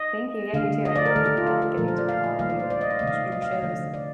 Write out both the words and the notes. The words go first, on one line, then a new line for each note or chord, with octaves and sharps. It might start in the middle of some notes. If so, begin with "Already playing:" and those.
Thank you, yeah, you too, I loved, uh, getting to know all of you sh your shows.
Already playing: D#5
D3 A3 F5
D#5
D5
A#4
D#3 A3 A4
G4
F4
A4
A4
A#2 F3 A3 A#4
C5
D5
F5
D#5
D#3 G3 A#3 F5
D5
C5
D5
D#5
F5
C3 D#3 A3 D#5
F5
D#5
F5
D#5
D3 F3 A3
D5